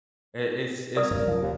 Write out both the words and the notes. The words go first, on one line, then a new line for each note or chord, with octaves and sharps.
i it's it's
A#4 D5 D#6
F#1 C#2 G2
C#3 F3 F#3
D#1 D#2